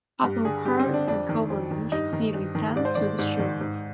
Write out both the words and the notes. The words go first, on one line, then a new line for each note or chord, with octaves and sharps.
Upon her recovery she returned to the show.
G2
D3 G#4
G2 G4
C4
D3
D4
F2 D4
D#3
F2
D#3
G2 D#4
D#3
G2
D#3
G#2 D5
C5
D#3 D5
G#2
D#3
G#2